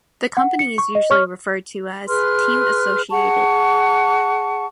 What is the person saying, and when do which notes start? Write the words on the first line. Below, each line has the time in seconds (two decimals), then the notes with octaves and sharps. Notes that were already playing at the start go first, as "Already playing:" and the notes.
The company is usually referred to as Team Associated.
0.37 F#5
0.59 C#7
0.78 C#6
0.95 D#5
1.10 C#5 C#6 F6
2.07 G#4 B4 C6 F6
3.11 G#4 F#5 A5 C#6